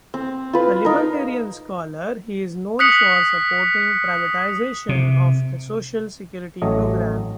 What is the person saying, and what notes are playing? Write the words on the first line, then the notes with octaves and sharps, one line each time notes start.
A libertarian scholar, he is known for supporting privatization of the Social Security program.
C4
F4 B4
D#4 A#4
D#6 F#6 B6 C#7 F#7
C3
A1 F#3 A3 D#5